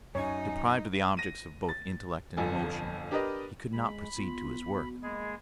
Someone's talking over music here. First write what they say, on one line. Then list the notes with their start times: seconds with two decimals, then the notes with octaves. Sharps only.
Deprived of the objects of both intellect and emotion, he could not proceed to his work.
0.15 F#2 D#4 C#5 G#5
1.17 A#6 D#7
1.69 A6
2.37 G1 F2 A4 G#5
3.11 D4 G4 A#4 B4 D#5
3.73 G#3 B5
4.17 B3 F4
4.73 F#4
5.03 G#3 A#3 G#4 D#5 B5